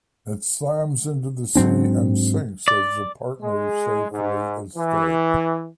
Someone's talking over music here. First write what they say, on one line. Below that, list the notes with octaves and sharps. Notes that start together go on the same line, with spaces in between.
It slams into the sea and sinks as the partners safely escape.
G#2 F#3 C4 D4
D5
G#3
G#2
E3